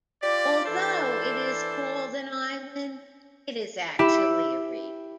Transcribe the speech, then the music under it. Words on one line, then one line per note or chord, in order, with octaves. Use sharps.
Although it is called an island, it is actually a reef.
F4 G4 D5
E3 D4 A4 C5
E4 G4 E5 B5